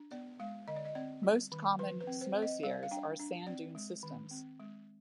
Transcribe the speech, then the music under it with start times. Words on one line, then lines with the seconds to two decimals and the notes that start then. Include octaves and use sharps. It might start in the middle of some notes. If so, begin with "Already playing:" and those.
Most common psammoseres are sand dune systems.
Already playing: D4
0.11 B3 D5
0.40 G#3 F5
0.68 D3 D#5
0.76 D5
0.85 D#5
0.95 C4 D5
1.23 G3
1.52 D#3
1.79 F3 B4
2.00 B4
2.07 C4
2.21 C5
2.35 C4
2.42 D#5
2.63 G3 F5
2.83 F5
2.91 D4 G5
3.19 D4
3.47 C4 D5
3.75 G#3
4.03 D#3
4.31 C4
4.60 G#3